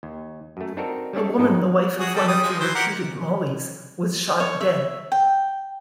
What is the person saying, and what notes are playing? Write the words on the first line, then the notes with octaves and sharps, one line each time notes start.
A woman, the wife of one of the reputed Mollies, was shot dead.
D#2
F#2 A3
C4 D4 D#4 F#4 A4 A#4
G3 C#4 D4 A4
G#2 F3 D#4 A4 G5
F#4 G#4
G3 A4
G3 D#6
F3 G#3
E3 F#3 C5
G4 A#4 F#5
C#5
E5
G5